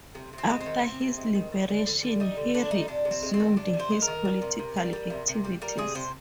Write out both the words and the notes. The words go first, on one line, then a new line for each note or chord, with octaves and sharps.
After his liberation he resumed his political activities.
C3
C3
C4
G#3
C4
D#3
C3
C3
G#3
D#3
G3
D3
D3
G3
G3 D#4
D3
D3 D4
G3 D#4
C3 D4
C3
C4
G#3
C4
D#3
C3 D4
C3
C5
G#3
A#4
D#3
G3
C3
C3
G3
G3
C3
C3
G3
G3 A#4
C3 G#4
C3 C5